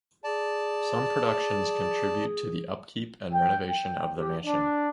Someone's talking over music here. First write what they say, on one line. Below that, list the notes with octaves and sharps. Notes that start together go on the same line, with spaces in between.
Some productions contribute to the upkeep and renovation of the mansion.
G#4 D5 A5
G5
G5
G4
D4